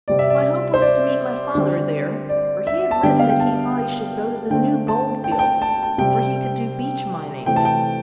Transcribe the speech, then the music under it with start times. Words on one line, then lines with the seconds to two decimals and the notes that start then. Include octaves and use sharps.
My hope was to meet my father there, for he had written that he thought he should go to the new gold fields, where he could do beach mining.
0.08 C3 G3 C4 D5
0.19 E5
0.30 D5
0.74 C5
0.82 D5
1.55 D3 G3 C4
2.29 D5
2.67 E5
2.91 A5
3.03 D3 G3 B3 G5
3.20 F5
3.30 G5
3.40 A5
3.77 G5
4.50 D3 A3 C4 G5
4.88 A5
5.24 G5
5.31 A5
5.39 G5
5.62 A5
5.83 A5
5.98 C3 G3 C4 G5
7.46 C3 E3 A3 C4 G5
7.56 A5
7.65 G5